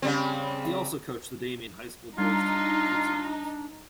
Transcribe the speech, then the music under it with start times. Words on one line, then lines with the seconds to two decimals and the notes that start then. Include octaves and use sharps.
He also coached the Damien High School boys' team for two seasons.
0.02 C#3 G3 C4
2.18 G3 D4 D#4 F4